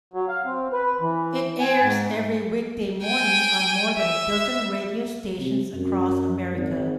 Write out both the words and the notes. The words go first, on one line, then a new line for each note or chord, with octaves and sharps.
It airs every weekday morning on more than a dozen radio stations across America.
F#3
F5
C4
B4
E3
G#5
G#2
G5 G#5
E5
C3
F#2
G#1